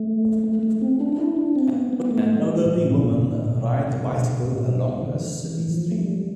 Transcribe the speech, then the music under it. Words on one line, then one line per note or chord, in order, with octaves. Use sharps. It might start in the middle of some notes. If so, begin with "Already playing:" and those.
An elderly woman rides a bicycle along a city street.
Already playing: A3
A3
A3
C4
D4
D4
E4
D4
C4
B3
B3
A3
G3
A2
B2
A2
B2
A2
B2
C3
B2
C3
B2
B2
A2
B2
C3
E3
D3
E3
F3
A3
G3